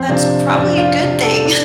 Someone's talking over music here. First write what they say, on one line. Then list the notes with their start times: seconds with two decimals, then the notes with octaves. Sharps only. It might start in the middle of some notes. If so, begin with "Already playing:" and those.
That's probably a good thing.
Already playing: F2 C4
0.09 C3 F3 D4
0.55 F2 D4
0.78 F4
1.00 C3 F3
1.23 A4
1.45 D4